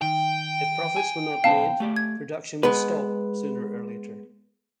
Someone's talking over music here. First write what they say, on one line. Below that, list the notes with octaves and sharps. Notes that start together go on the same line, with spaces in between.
If profits were not made, production would stop sooner or later.
D#3 G5
G#5
B1 B3 C5 F5 A5
A3 G4 D5
G#6
G#3 B3 B4